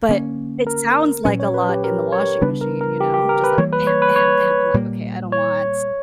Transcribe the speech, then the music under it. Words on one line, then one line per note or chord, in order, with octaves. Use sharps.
but it sounds like a lot in the washing machine, you know, just like bam bam bam I'm, like, okay, I don't want,
D3 A#3 C#4
A#4
A#2 F#3 C#4 B4
C#5
B4
G4
A#4
C#5
C#3 G3 B3 D4 B4
A#4
A#4
G4
G4
A#4
B4
E3 G3 A#3 C#5
B4
C#5
B4
C#5
A#2 G3 A#3
C#5